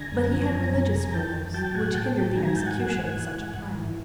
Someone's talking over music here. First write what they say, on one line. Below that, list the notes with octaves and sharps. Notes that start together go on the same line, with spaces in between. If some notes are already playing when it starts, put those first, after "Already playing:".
But he had religious scruples, which hindered the execution of such a plan.
Already playing: D3 G#5 A#5
F#2
F3
F#2
C3 G#5 A#5
G#5 A#5
F2
G#5 A#5
E3 G5 A5
F2
F#3 G5 A5
A2 F#5 G#5
A2 G5 A5
F#3
A5
D#3 G#5 A#5
G#5 A#5
G#2 G5 A5
F#5 G#5
F#3
G#2
E3
G#2
G#2
E3